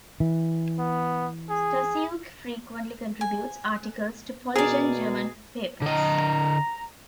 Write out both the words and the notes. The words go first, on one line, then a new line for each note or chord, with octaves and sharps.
Stasiuk frequently contributes articles to Polish and German papers.
E3
B3
G#4
G#5
B2 G#4 A#4 D5
D3 D#5 A#5